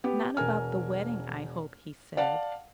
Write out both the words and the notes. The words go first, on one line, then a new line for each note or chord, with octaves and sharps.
'Not about the wedding, I hope,' he said.
B3 G4
E1 A#4 G#5 F6
D5 F5 F#5 A5